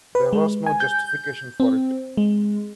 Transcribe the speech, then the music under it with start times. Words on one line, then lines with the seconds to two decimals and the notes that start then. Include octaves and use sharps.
There was no justification for it.
0.15 B4
0.33 G#3
0.66 G#5
0.80 G6
1.60 C4
2.17 G#3